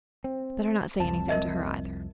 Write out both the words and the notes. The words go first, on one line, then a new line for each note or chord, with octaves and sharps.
"Better not say anything to her either."
C4
C2 F2 A5
A#4 D#5 E5